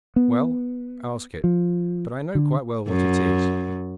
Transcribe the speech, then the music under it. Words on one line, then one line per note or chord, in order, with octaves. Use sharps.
'Well, ask it; but I know quite well what it is.
B3
F3
D3
F#2